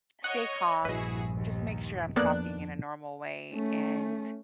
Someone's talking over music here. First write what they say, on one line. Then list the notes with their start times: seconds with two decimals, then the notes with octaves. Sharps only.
stay calm, just make sure I'm talking in a normal way, and
0.24 C#5 D#5 F#5 C#6
0.85 A#1 G2 E4 F#4 G#4 B4 D#5
1.35 D#2
2.16 F2 A#3 B3 D4 A4 D5 F#6
3.53 A3 C#4